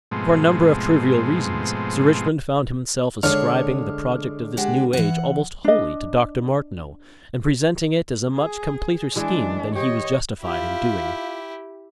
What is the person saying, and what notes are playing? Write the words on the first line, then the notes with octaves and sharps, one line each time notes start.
For a number of trivial reasons Sir Richmond found himself ascribing the project of this New Age almost wholly to Dr. Martineau, and presenting it as a much completer scheme than he was justified in doing.
G#2 B2 F3 G#3 A3 C4
D3 G#3 D4 C#5 F6
G#3 F#4 G4
E3 F#5
D4 D#5
G#4
E3 G#3 D4 G#4
G4 C#5 D#5
E4 F4 G4